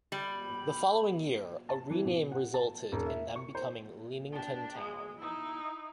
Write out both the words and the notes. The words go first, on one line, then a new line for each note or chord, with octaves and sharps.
The following year a rename resulted in them becoming Leamington Town.
G3 B5
A5
E3
B2
F#5
A5
E1
E5
C#6
C5
D4 G4
G#3
D#4 E4